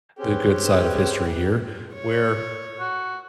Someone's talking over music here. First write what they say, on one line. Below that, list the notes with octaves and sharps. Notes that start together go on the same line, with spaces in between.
the good side of history here, where
C4 C#4 G4 G#4 B4
C#5
F#4